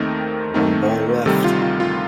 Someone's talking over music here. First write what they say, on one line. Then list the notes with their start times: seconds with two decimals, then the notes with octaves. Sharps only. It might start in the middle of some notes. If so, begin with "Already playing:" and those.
One ball left.
Already playing: D#2 D#3 A3 C4 D#4 A#4
0.54 D#2 D#3 A3 C4 D#4
1.25 D2 C3 D#3 G3 A4
1.44 F4
1.62 F4
1.80 F4